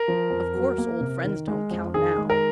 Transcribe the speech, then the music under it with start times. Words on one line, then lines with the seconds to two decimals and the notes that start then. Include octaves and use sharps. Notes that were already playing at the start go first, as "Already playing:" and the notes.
Of course old friends don't count now.
Already playing: A#4
0.08 F3
0.30 F2
0.54 F#3
0.78 A#3
1.01 C3
1.24 D#3
1.48 G#3
1.71 F2
1.94 D#3 G#4
2.18 G#3
2.30 A#4